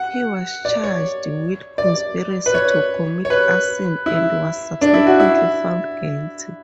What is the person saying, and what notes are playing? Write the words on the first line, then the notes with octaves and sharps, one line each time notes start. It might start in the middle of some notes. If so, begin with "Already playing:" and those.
He was charged with conspiracy to commit arson and was subsequently found guilty.
Already playing: F#5
D5
C#5
D5
B4
C#5
C#5
B4
E4
D4
E4
F#4
E4